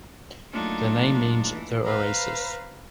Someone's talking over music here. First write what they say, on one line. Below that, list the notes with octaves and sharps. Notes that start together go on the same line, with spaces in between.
The name means "the oases".
F#3 A3 A#3 D4 D#4 F4
E3
B4 C5 F5 A#5 B5